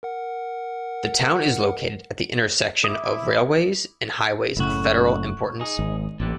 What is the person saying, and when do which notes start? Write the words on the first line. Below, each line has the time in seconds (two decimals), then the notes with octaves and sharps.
The town is located at the intersection of railways and highways of federal importance.
0.03 A#4 F#5
2.84 E4 D6 D#6
4.57 F#1 A2 C#3 E4 F#4
5.60 D#4 G#4
5.79 G#1
6.20 A1 A#2 D3 G3